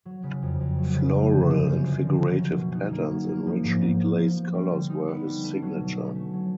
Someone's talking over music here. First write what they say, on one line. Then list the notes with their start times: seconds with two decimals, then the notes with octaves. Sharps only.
Floral and figurative patterns in richly glazed colours were his signature.
0.05 F#3
0.23 C#3
0.42 F2
0.60 F2
0.78 F#3
0.95 C#3
1.13 F3
1.32 D3
1.49 F#2
1.67 F#2
1.85 F3
2.03 D3
2.21 A#3
2.39 F#3
2.56 B2
2.75 D#4
2.92 A#3
3.11 F#3
3.28 A#3
3.47 F3
3.64 G#2
3.82 G#2
4.00 A#3
4.18 F3
4.36 B3
4.54 G3
4.71 D3
4.89 D#4
5.07 B3
5.26 G3
5.44 A3
5.62 F#3
5.80 B2
5.97 C#4
6.15 A3
6.33 F#3